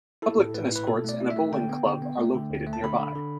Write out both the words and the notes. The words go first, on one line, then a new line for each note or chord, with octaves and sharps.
Public tennis courts and a bowling club are located nearby.
E4 A4
A2
A2 B4
E4 B4
B2 A4
A3 D5
E4
E5
A3
D3 G5
B3
D3
B3
A3
D3
D2
A3
A5
D3 B5
D3
D3